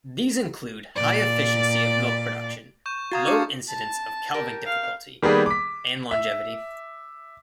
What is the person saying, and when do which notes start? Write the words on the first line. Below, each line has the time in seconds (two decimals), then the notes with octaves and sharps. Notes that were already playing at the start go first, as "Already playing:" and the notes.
These include high efficiency of milk production, low incidence of calving difficulty and longevity.
0.95 A#2 D5
2.86 C#6 G6 E7
3.12 F#4 F5 A#5 D#6 G#6 A6
3.26 D4 C#6 D6 C#7
3.68 A5
4.34 G4 A#4
4.66 F5
5.23 D#3 G3 A#3 B3 G#4
5.46 D6 B6
6.11 E5